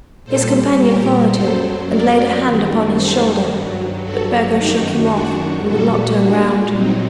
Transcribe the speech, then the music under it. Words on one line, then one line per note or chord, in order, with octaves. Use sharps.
His companion followed him, and laid a hand upon his shoulder; but Burgo shook him off, and would not turn round.
A#2 G3 A4 C5
G4 A#4
F#2 F#3 A4 C5
A#4 D5
F#2 D#3 G3
A4 C5
G2 F#3
F#4 A4
F#2 D#3 F#3 D#4 G4
D4 F#4
A#2 G3 F#4 A4
D4 F#4
A#2 F#3 C4 D#4